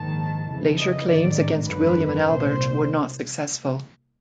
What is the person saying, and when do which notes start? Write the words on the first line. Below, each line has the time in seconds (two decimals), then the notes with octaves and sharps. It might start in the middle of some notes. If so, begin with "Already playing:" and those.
Later claims against William and Albert were not successful.
Already playing: A#1 G#2 D#3 A5
0.48 F2 C#3 E3
0.78 D#5
1.08 A1 G#2 D#3 D5
1.68 G#1 F#2 D3 B4
2.29 C2 A#2 C5